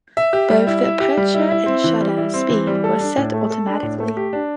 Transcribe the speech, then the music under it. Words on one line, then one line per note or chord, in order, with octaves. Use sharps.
Both the aperture and shutter speed were set automatically.
E5
G4
G3
E4
E5
G4
G3
E4
E4
C4
E3
G3
E4
C4
E3
G3
A4
D4
A2
A3
A4
D4
A2
A3
G4
D4